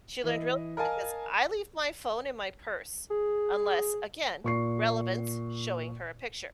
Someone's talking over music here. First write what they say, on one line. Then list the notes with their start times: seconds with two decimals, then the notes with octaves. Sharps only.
She learned real quick, because I leave my phone in my purse, unless, again, relevance, showing her a picture,
0.24 E3 D#5
0.77 A#4 D#5 F5 G#5 A5
3.11 G#4
4.44 A#2 C#6 C7